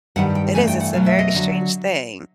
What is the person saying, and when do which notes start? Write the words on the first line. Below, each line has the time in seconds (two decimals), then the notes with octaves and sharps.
it is, it's a very strange thing.
0.16 G2 D#3 G3 F#5
0.35 G5
0.54 G2 E3 A3 G#5
0.68 G5
0.80 F#5
0.93 B2 F#3 A3 F5
1.06 E5
1.19 D#5
1.34 D3 F#3